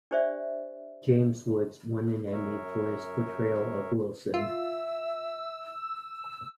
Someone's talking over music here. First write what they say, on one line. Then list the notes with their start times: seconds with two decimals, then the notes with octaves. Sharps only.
James Woods won an Emmy for his portrayal of Wilson.
0.11 D4 G4 C5 D5 E5
2.32 F#2 A#4 C#5 E5
4.34 F4 E5 E6